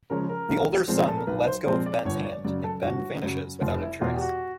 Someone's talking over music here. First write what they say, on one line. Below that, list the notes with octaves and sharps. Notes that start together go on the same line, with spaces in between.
The older son lets go of Ben's hand and Ben vanishes without a trace.
C#3 F3 G#3 C#4 A#4
A#4
B1
A#2 F3 G#3 C4
G#4
A4
A#4
B1 B4
C5
A#2 F3 G#3 C4 C5
D5
G1 C#5
C#5
D5
F#2 C#3 F#3 D5
A4
G1 F#4
F#2 C#3 F#3
F1 F4
E4
E2 B2 F4
G4
F#4